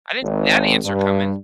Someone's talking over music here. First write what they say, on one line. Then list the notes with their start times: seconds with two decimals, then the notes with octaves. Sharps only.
I didn't see that answer coming.
0.23 G#1
0.85 G2